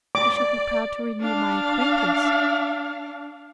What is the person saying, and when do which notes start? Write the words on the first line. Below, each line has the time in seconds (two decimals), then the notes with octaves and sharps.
"I shall be proud to renew my acquaintance."
0.15 D5 D6
1.20 D4 F5